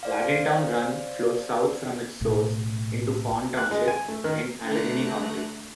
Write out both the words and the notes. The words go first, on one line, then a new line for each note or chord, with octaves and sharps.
Lardintown Run flows south from its source into Fawn Township in Allegheny County.
C5 D5 F5
B1 A2
F#6
G#3
G#5
A3
D#3
D3 A3 A#5 F#6